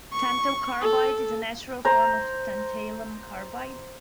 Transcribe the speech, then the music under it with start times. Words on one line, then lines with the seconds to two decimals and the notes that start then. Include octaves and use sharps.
Tantalcarbide is a natural form of tantalum carbide.
0.12 C#6
0.81 A4
1.85 C5 A#5